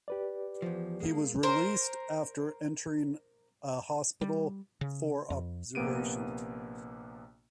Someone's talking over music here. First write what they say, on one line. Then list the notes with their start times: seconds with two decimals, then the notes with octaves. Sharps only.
He was released after entering a hospital for observation.
0.08 G4 B4 D5
0.62 E2 F3
1.00 G#3 A#3
1.43 A#4 C5
4.21 G3
4.81 C#3
5.30 F2
5.75 A#1 C3 A#3 B3 D7 D#7